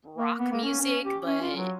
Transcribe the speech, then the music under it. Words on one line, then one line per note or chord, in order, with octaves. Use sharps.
rock music, but,
A#3
B3
A#3
C#4
C#4
G4
C#4
F4
F#3